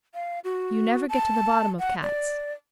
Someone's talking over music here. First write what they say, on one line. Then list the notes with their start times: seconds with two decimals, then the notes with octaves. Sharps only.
You never get to the bottom of Cats.
0.15 F5
0.44 F#4
1.09 A5
1.79 F#5
2.03 D5